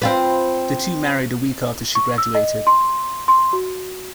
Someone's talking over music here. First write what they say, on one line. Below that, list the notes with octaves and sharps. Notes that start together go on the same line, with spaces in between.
The two married a week after she graduated.
C4 F4 B4
C#6
E6
D#5
C6
C6
F#4